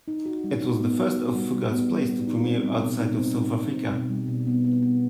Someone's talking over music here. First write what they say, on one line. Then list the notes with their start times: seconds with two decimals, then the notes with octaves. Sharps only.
It was the first of Fugard's plays to premiere outside of South Africa.
0.08 D#4
0.26 F#4
0.44 G3
0.62 D#4
0.81 B3
0.99 F#4
1.17 F#4
1.35 G3
1.54 G3
1.72 B3
1.90 G3
2.09 G3
2.27 D#4
2.45 C4
2.63 G3
2.82 B2
3.00 D#4
3.19 C4
3.36 D#4
3.56 C4
3.74 C4
3.92 B2
4.10 G3
4.28 B2
4.47 B3
4.65 B3
4.82 B3